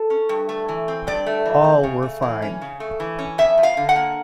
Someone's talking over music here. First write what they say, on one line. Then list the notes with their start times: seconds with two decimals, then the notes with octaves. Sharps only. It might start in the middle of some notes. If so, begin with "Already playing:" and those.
All were fined.
Already playing: A4
0.10 C#4
0.29 G2
0.49 A3
0.69 E3
0.88 C4
1.07 G2 D5
1.26 A3
1.46 E3
1.64 C4
1.83 C#3
2.02 A3
2.22 E3
2.42 C#4
2.61 C#3
2.80 A3
3.00 E3
3.19 C#4
3.38 F2 E5
3.58 F3
3.63 F5
3.77 D3
3.89 F#5
3.96 A#3